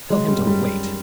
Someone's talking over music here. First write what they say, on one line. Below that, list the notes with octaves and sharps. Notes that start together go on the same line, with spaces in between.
Tell him to wait.
F#3 G#3
G3
F#2
G3